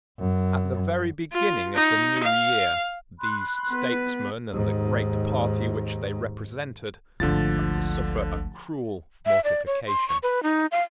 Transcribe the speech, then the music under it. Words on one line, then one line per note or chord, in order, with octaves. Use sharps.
At the very beginning of the new year these statesmen and the great party which they represented had to suffer a cruel mortification.
F#2
F4
D#4
F5
B5 C6 F#6
B3 B4
D#2 G#2
G#1 D2 D3 F3 A6
E5
D5
C#5
C6
C#6
B4
D#4
F5